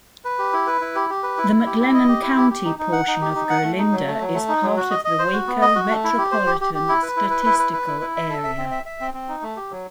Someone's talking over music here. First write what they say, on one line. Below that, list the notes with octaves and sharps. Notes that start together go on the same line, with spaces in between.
The McLennan County portion of Golinda is part of the Waco Metropolitan Statistical Area.
B4
G4
E4
B4
E4
G4
G4
B4
E4
E4
G4
E4
D#5
G4
E4
G4
G4
D#4
D#4
F#5
D#4
G4
D#4
F#5
A3
D#4
F#3
A3
F#3
A3
D#4
F#3
F#4
D#5
D#5
C5
F#4
B3
D#5
F#4
A3
E4
G4
C5
G4
G4
G4
E4
B4
E4
B4
E4
B4
B4
E4
E4
E5
A4
E5
C4
E5
E5
C4
C4
D#4
A3
G4
F#3